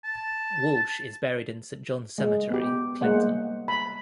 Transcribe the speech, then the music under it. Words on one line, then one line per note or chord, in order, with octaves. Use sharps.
Walsh is buried in Saint John's Cemetery, Clinton.
A5
G#3
B3 G4
G3 G#3 A#3 C5 F#5
B5